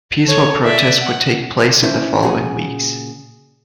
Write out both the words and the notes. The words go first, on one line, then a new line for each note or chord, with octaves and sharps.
Peaceful protests would take place in the following weeks.
A4 C#5
D5 E5
F#5
C#4 D4 E4 C5
A#2 C#3 F#4 G#4